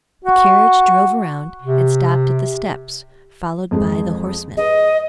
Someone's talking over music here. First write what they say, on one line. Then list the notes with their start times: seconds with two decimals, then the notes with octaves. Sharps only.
The carriage drove round, and stopped at the steps, followed by the horsemen.
0.24 F#4
1.62 C3
3.71 F2 G#3 G#4
4.57 G#4 B4 D#5